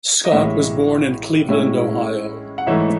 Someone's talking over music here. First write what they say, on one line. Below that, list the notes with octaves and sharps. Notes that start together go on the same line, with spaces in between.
Scott was born in Cleveland, Ohio.
D#5
A1 A2 E3 G#3 C#5 E5
A2 G#3 C#4 E4
F#5
G#2 E3 A3 C#5 E5